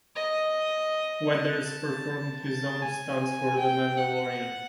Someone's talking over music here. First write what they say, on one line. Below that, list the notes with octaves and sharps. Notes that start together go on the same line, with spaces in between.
Weathers performed his own stunts for "The Mandalorian".
D#5
A5
A5
G#5
G5
F#5